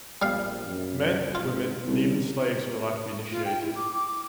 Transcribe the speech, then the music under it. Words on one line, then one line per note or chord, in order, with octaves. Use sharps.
Men, women and even slaves were allowed to be initiated.
A#1 G3 F5
F#2
G#2 F4
C2 C#3
F4
G5
E4
D6
D6
D6